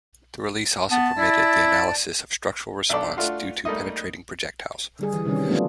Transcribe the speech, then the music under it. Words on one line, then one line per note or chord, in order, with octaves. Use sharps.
The release also permitted the analysis of structural response due to penetrating projectiles.
B3 A5
E4 D5
B1 D4 A4 D5
A3 D4 F4 F#4
G3 A3 A#3 D#4 D#5
D3 G3 G#4
E3
C3 D#3 G3 C#4
F#3 A3 B3 D4 F4